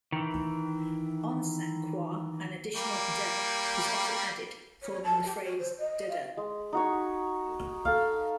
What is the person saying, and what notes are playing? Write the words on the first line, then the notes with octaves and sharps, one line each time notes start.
On Saint Croix, an additional "deh" is often added, forming the phrase "deh-deh".
D#3 E3
G3 A#3
C#5
A5
G4
C#5
C5
D#5
F5
G#3
D#4 F#4 C#5
A4 F5